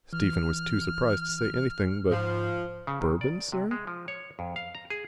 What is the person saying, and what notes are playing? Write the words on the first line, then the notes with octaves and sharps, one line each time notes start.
Stephen was too surprised to say anything but "Bourbon, sir?"
E3 F6
G#2 F3
C#3
D#3
D5
C3
G#3
F3
C#5
F2
F5
A#5
G#4